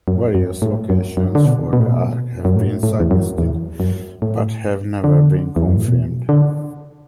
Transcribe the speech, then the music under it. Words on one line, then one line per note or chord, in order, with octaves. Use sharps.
Various locations for the ark have been suggested but have never been confirmed.
F#2
F#2
A2
F#2
F#2
D3
B2
B2
A2
B2
F#2
A2
A2
E2
F#2
E2
F#2
A2
D3
E2
F#2
A2
B2
D3